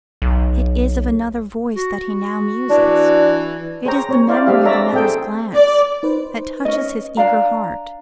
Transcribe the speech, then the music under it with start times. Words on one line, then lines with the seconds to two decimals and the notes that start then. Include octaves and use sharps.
It is of another voice that he now muses; it is the memory of another's glance that touches his eager heart.
0.22 B1
1.76 F#4
2.70 E3 D4
3.85 G#4 C5 C#5 G5 A#5
4.09 C4 C#5
4.28 E4 C5 D5 F5
4.46 G#3 C4 D4 G4 E5 F5
4.65 C#5 D5 E5 A5 A#5
4.93 C4 G#4 A4 G5
5.54 D5
6.03 D#4 B4 C5
6.65 C#4 D#5
7.17 D4 D5 F5 A#5